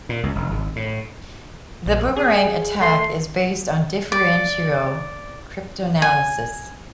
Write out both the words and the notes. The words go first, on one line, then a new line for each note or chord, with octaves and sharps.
The boomerang attack is based on differential cryptanalysis.
A#2
C#2
F1
G#1
A2
A#1
G#4
A3 C6
D5
G#5